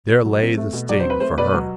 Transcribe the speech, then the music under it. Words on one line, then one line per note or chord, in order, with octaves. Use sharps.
There lay the sting for her.
B2
F#3
C4
A3
B2
F#3 D5
C5
C4 B4
A3 C5
B2 B4 D5
F#3